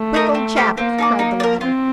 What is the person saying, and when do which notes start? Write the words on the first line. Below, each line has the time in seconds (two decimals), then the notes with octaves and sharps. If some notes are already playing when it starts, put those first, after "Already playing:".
"Quick, old chap!" cried the latter.
Already playing: A3
0.14 D#4 A#4 D#5
0.35 C4
0.56 G4 C5 F5
0.77 A#3 C4
0.98 D#4 A4 D5
1.19 D#4
1.40 D5
1.43 A#4
1.61 C4 F4